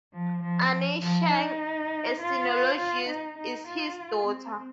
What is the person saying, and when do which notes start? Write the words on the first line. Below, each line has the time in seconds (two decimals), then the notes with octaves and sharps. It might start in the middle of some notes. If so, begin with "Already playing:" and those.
Anne Cheng, a sinologist, is his daughter.
0.13 F3
0.42 F3
1.02 F3
1.31 D#4
2.20 F4
2.79 F4
3.09 D#4
3.38 D#4
3.68 F4
4.27 C4